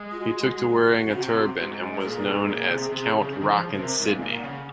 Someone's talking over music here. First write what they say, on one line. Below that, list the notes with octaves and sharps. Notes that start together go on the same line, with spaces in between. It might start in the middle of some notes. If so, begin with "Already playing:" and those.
He took to wearing a turban and was known as "Count Rockin' Sidney".
Already playing: G#3
F4
F#4
F4
F#4
C#3
C3
G#2
G#2
A#4
A#2 G#4
A#2
G#2
A#2
C3
C3
C#3
C#3
D#3
F3
C#3
C5
C3 A#4
G#2
F5
A#2
F5
F#5
C#3